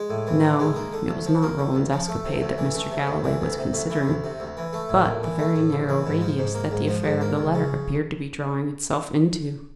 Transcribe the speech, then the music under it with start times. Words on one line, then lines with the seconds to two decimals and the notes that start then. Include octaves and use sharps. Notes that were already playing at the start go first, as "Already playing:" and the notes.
No; it was not Roland's escapade that Mr. Galloway was considering; but the very narrow radius that the affair of the letter appeared to be drawing itself into.
Already playing: G#3
0.10 A2
0.27 E3
0.44 A2
0.60 G#3
0.76 A#3
0.93 D3
1.09 D2
1.26 F3
1.43 A#3
1.58 D3
1.75 D2
1.92 F3
2.08 A3
2.25 C3
2.41 D2
2.58 E3
2.75 A3
2.91 C3
3.07 D2
3.24 E3
3.41 D2
3.58 C3
3.73 D2
3.90 E3
4.07 D2
4.24 C3
4.40 D2
4.57 E3
4.73 A3
4.89 A2
5.06 A#1
5.23 E3
5.39 A3
5.56 A2
5.73 A#1
5.89 E3
6.06 G#2
6.21 F3
6.38 G#2
6.54 A#3
6.71 G#2
6.88 F3
7.05 G#2
7.21 A#3
7.38 C#2
7.54 C#3